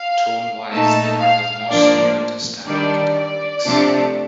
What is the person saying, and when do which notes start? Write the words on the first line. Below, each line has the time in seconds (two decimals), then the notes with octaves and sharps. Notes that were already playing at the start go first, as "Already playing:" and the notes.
Tone wise, they are the most similar to standard guitar picks.
Already playing: F5
0.71 A#2 A3 D#4 A5
1.20 F5
1.69 A2 F3 A#3 D4 D5
2.66 D#3 G3 D4 D5
3.15 D5
3.64 C3 F3 A3 D4